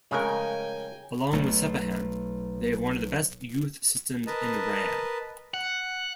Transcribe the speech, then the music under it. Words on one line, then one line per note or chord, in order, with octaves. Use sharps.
Along with Sepahan, they have one of the best youth systems in Iran.
C#3 F3 G#3 A3 A#4 G5 G#5
B1 A3
A#4 B4 D#5 A5
F#5